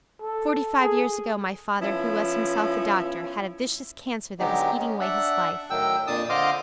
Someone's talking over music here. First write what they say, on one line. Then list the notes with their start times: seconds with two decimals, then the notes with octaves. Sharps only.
Forty-five years ago my father, who was himself a doctor, had a vicious cancer that was eating away his life.
0.22 A4
0.81 G#4
1.79 F3 B3 C#4 E4
4.40 D3 F#3 G#3 B3 D#4 G4
4.79 C#4
5.00 D4 E5 F#5
5.70 A2 D#3 F#3 G5 E6
6.07 F2 A#2 D4 A5 D#6
6.29 D3 C5 D#5 F5 D6